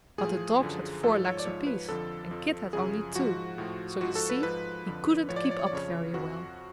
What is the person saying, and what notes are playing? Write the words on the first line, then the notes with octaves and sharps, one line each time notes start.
But the dogs had four legs apiece, and Kit had only two; so you see he couldn't keep up very well.
A2 F3 G#4
F#2 D3 F3
G#2 F3 A4
C#5
D5
G#2 F3 C#5
B4
F2 D3 F3 A4
F2 F3
F#2 C#3 F3 G#4
G#2 F3 F#4
A2 F3
G#2 F3 F#4
A4
B4
G#2 F3 B4
F2 D3 F3
A2 F3 C#5
D5
C#5
D5
C#5
D5
F2 C#3 F3 C#5
F2 F3 F#4